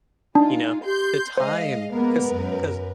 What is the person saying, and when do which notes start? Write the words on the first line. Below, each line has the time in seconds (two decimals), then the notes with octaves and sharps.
you know, the time. 'Cause l 'cause,
0.35 G#3 D4 D#4 F4
0.85 G4 C6 G6
1.37 G#3 C5 D#5 F5
1.93 A#3 B3 A#4 B4
2.31 F#2